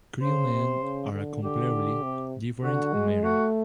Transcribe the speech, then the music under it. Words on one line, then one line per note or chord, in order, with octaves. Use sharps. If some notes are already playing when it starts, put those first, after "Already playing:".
Crewmen are a completely different matter.
C#3 C5
C3
C#3
D3
D3 G4
C3
D3 F#4
G#3
A3 F#4